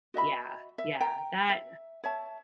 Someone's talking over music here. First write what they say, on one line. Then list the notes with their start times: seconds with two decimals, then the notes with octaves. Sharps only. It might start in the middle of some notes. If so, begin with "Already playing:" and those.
Yeah, yeah, that
0.14 F#4 D#5 E5 B5
0.78 E5
1.01 G5 A#5
1.49 E5
2.04 C#5 E5 A5